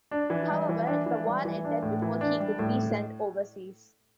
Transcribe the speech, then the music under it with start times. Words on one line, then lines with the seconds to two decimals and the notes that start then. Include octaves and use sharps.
However, the war ended before he could be sent overseas.
0.11 D4
0.30 E3
0.50 G3
0.69 E3
0.87 D4
1.06 E3
1.26 G3
1.45 E3
1.65 D4
1.82 A2
2.02 E3
2.21 D4
2.40 G3
2.59 A2